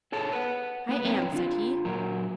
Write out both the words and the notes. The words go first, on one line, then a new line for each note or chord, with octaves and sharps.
"I am," said he.
G#4 A4 C#5 A5
B4 F#5
A#3 B4
F#3 C4 D4 D#4 B4 C#5
D3 F4
A#2 F#3 A#4